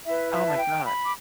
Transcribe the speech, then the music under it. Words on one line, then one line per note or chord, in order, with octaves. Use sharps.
Oh my god.
E4 B4 E5
E5
A5
G5
B5
D6